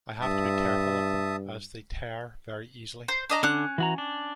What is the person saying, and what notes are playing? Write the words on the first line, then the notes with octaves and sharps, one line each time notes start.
I have to be careful of them, as they tear very easily.
G2 E5 A5 D#6
C5
D4 D#5 A#5
D3 C#4 D4 F#6
E3 F#4 A#5
D4